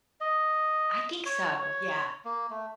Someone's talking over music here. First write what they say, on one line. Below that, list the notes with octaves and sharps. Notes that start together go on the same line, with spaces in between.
I think so, yeah.
D#5
C#5
C#5
A#3
A3